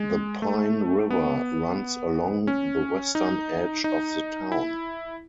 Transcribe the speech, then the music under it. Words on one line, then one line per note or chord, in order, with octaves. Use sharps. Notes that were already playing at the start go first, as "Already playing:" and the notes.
The Pine River runs along the western edge of the town.
Already playing: G#3
A3
B3
C#4
D#4
D#4
E4